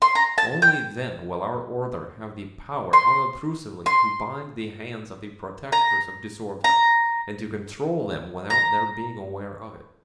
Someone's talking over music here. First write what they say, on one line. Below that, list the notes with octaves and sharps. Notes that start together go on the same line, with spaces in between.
Only then will our order have the power unobtrusively to bind the hands of the protectors of disorder and to control them without their being aware of it.
C6
A#5
A5
G5
C6
C6
A#5
A#5
A#5